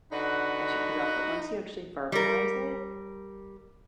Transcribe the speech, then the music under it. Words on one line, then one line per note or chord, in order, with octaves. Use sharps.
I should keep it up, but once you actually verbalize it,
D3 D#4 F#4 B4
G3 A#4